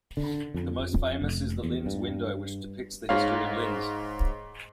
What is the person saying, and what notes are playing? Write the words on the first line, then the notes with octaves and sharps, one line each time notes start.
The most famous is the Linz Window, which depicts the history of Linz.
D3
F2
F1
E2
G2
G#2 C#5 F5